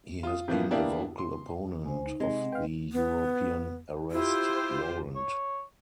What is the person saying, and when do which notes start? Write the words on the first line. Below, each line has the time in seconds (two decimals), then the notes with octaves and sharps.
He has been a vocal opponent of the European Arrest Warrant.
0.23 F4 D#6
0.48 A2 E3 F3 A#3 B3
0.71 A#3 B3 D4 E4 G4
1.18 C6
1.85 C#2 C5 G#5
2.06 D#4
2.20 C3 G#3
2.41 C4 F#5
2.52 B4 F5 G5
2.92 B3
4.11 E4 F4 G4 C5
5.15 C#5